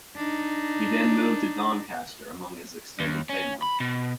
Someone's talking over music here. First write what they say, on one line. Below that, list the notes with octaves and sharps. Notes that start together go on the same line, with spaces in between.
He then moved to Doncaster among his extended family.
D4 D#4
D#2
C#4
B5
B2